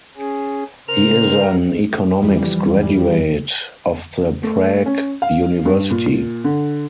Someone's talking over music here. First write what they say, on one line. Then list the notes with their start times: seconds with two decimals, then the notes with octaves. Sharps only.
He is an economics graduate of the Prague University.
0.17 C#4 G#4
0.88 C#3 A#4 C5 F7
2.22 F2 E3 G3
4.43 A3
4.86 C#4
5.22 F5
5.65 G2
5.91 A#2
6.44 D3